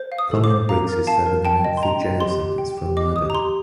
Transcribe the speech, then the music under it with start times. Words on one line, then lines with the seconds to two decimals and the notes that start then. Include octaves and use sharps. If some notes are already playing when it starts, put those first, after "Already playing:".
Colin Briggs is serving a lengthy jail sentence for murder.
Already playing: C5
0.12 F5
0.18 D#6
0.31 A4
0.44 D6
0.50 C5
0.69 F5 A#5
0.89 A#4
1.07 F5 A5
1.26 A#4
1.45 G5 A5
1.65 D#5
1.77 C6
1.83 G5 A#5
2.02 D#5
2.20 G4 C6
2.40 G4
2.58 G5
2.78 G4
2.97 D#5 D6
3.16 G4 D#6
3.30 A#5
3.35 G4 C6